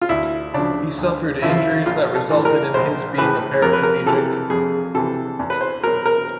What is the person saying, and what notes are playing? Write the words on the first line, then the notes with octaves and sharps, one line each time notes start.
He suffered injuries that resulted in his being a paraplegic.
F4
D2 E4
C#3 F3 D4
D2
C#3 F3 E4
F4
E4
A#1 F4
A4
A2 E3
A#4
A#1 C5
A2 E3 B4
F2 A#4
B4
A#4
C3 E3 A4
F2 G#4
C3 E3 A4
E2
B4
C5
B2 F#3 A#4
A#4